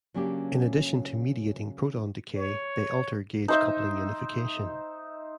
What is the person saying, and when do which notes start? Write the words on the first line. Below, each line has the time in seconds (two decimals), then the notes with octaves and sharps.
In addition to mediating proton decay, they alter gauge coupling unification.
0.14 C#3 F#3 A#3 C#4 D4 G4
2.36 C#5
3.48 D#4 C5 E5